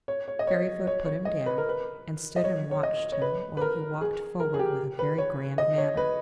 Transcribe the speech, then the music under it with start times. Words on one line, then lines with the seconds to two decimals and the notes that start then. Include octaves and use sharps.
Fairyfoot put him down, and stood and watched him while he walked forward with a very grand manner.
0.08 C#5
0.28 C#5
0.39 D#5
0.47 C#5
0.87 C#5
1.06 C#5
1.25 D#5
1.46 B4
1.58 A#4
1.69 B4
2.36 D#5
2.44 C#5
2.71 C#5
2.83 D#5
3.12 C#5
3.22 B4
3.57 B4
3.61 A#4
4.01 G#4
4.40 A#4
4.54 G#4
4.59 G4
4.99 B4
5.18 C#5
5.58 D#5
5.78 C#5
5.97 B4